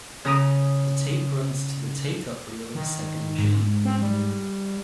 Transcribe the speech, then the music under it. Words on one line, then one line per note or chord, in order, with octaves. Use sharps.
The tape runs to the take-up reel of a second machine.
C#3 A#5 D#6
D#3
G#2
C4
G3